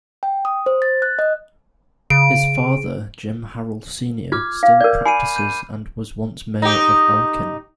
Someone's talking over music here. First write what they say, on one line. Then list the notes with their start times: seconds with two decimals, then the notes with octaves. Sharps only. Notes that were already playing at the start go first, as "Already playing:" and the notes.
His father, Jim Harrell Senior still practices and was once mayor of Elkin.
0.23 G5
0.45 D#6
0.66 C5
0.82 A6
1.02 F#6
1.19 D#5
2.10 C#3 D7
4.32 F4 D6 F6 G#6
4.63 F5
4.81 A#4 D5 G6
5.05 G#5 B5 C7 D#7
5.36 G6 D#7
6.62 D#4 G4